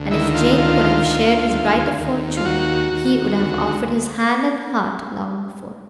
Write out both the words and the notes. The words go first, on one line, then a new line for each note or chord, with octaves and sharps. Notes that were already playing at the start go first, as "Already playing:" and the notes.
And if Jane could have shared his brighter fortune, he would have offered his hand and heart long before.
Already playing: D2
D#3 E4
F4
D2 F4
D2
D#2
D#2
F4
D#2 F#4
D#2
D2